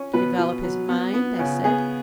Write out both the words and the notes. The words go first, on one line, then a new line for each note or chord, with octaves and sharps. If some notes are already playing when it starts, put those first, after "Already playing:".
"To develop his mind," I said.
Already playing: C#4
B2 B4
B2
F#3
B3
B3
C#3
B3 G#4